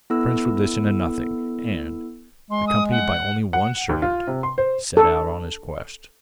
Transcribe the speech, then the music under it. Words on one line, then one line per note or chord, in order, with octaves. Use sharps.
The prince would listen to nothing, and, accompanied by only one servant, set out on his quest.
B3 E4 A4 E6
G#3 C6
D#6
F#5
F#5
D#2
F4
C3
C6
C5
A4